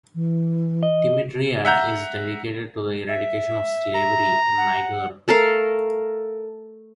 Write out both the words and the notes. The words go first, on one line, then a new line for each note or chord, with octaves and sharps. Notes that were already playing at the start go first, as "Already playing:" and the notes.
Timidria is dedicated to the eradication of slavery in Niger.
E3
D#5
E5 F#5 A#5 G6
E5
A#5
F#5
A3 A4 A#4 F5